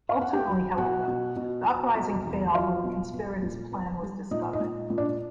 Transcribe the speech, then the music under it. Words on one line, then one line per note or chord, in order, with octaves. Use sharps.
Ultimately, however, the uprising failed when the conspirators' plan was discovered.
F5
B3 F#5
G4 G5
F#3
B2 F#4 F#5
B2
B2
B2
B2
E2
F#3 F4 F5
B2
B3
A#2
B3
G3
A#2 D#4 D#5
D#4 D#5
A#2
A#2
D4 D5